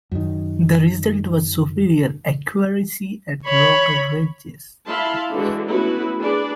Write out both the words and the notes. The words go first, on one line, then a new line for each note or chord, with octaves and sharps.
The result was superior accuracy at longer ranges.
F#2 D#3
C#5 B5
E4 E5 F5 A5 B5 C6
D3 E3 G#3 F#4
A3 B3 C#4 E4 F#4 B4
D4 G#4 B4 D5